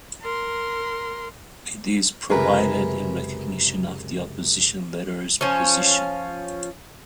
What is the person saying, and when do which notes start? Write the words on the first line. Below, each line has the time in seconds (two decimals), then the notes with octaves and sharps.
It is provided in recognition of the opposition leader's position.
0.21 A#4 C6
2.30 C#2 F#2 C3 G#4 A#4 B4
5.41 F3 C#4